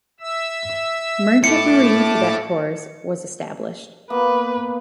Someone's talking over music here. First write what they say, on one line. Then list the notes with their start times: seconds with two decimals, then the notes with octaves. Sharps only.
Merchant Marine Cadet Corps was established.
0.20 E5 E6
1.44 E4 A4 A5 D6 C#7
4.10 A#3 B3 B4